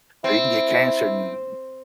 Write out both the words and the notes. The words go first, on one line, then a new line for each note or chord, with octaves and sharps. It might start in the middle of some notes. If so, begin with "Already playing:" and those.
So you can get cancer n
C4 E4